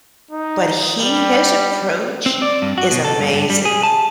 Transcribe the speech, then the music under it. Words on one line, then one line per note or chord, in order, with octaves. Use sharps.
But he his approach, is amazing.
D#4
G3
C4
D5
G2
F#4
B2
A4
G2
G2
G3
G#4
A5